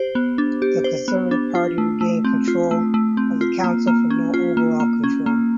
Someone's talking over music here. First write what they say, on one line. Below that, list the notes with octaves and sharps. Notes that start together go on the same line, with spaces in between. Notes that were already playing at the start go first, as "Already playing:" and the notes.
The Conservative Party regained control of the council from no overall control.
Already playing: G4 C5
B3
D4
G4
C5
B3
D4
F4
A3
A3
C4
F4
A3
A3
C4
F4
A#3
A#3
C#4
F4
A#3
A#3
C#4
A#3